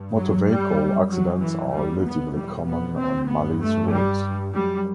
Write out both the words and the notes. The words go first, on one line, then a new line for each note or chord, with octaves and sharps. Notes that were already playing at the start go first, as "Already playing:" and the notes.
Motor vehicle accidents are relatively common on Mali's roads.
Already playing: G2
F#3
G3
F#2
F#3
E3
G3
E2 B2 B3
G3
B3
C4
G2 B3
A3
G3
F#2 G3